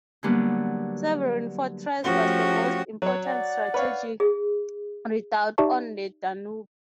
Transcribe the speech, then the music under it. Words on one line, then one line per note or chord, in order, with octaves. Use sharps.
Severin fortress was the most important strategic redoubt on the Danube.
D3 F#3 G3 A#3 B3 D4
F3 A3 C#4 F#4 G4
F#3 C#5
D5 F#5
B4 C#5 F5
G#4
D#4 G4 D5 E5 A5 C#6